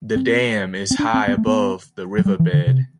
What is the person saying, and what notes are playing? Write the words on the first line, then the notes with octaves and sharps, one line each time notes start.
The dam is high above the riverbed.
C4
C4
D4
C4
B3
A3
B3
F#3
G3
E3
D3
C3